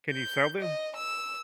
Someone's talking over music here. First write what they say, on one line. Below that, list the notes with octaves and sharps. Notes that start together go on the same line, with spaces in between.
Can you sell them?
G6
D#5
E6